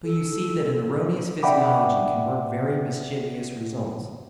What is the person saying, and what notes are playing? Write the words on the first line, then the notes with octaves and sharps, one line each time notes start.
So you see that an erroneous physiology can work very mischievous results.
A4
D5 E5 F#5 G5 B5 D6